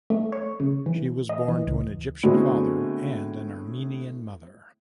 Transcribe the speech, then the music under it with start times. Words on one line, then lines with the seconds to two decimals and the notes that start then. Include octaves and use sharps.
She was born to an Egyptian father and an Armenian mother.
0.10 A3
0.32 C#5
0.60 C#3
0.86 E3
1.29 D#5
1.48 E3
1.67 C#2
2.23 A2 D3 G#3 B3 C4 F#4